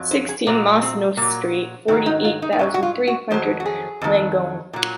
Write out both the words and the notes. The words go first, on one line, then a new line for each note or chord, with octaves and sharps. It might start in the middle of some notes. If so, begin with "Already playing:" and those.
Sixteen, Mas Neuf Street, forty-eight thousand three hundred Langogne.
Already playing: F2 F#3
C5
G#4
A#2 F#3 A#3
C4
A#2 F#3 A#3
G#2 D#3 F#3 C4
D#4
F4
D#4
D#4
G#2 D#3 F#3 C#4
F#4
F4
F#4
F2 D#3 F#3 C5
F#4
G#4
F2 D#3 F#3
A#2 F#3